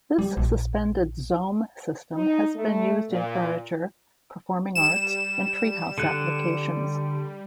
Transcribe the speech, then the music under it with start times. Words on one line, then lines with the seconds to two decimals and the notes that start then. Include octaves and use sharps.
This suspended zome system has been used in furniture, performing arts, and treehouse applications.
0.19 G3
0.37 A#1
2.16 D#4
2.55 A3
3.09 A#2
4.75 G3 E7
5.98 D3 A4 F#6